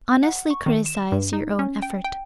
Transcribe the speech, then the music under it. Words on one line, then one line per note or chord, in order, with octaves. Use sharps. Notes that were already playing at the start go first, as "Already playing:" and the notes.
Honestly criticise your own effort.
F#5
C#6
D#3
E7
G2
D#4
C#4
G5
G5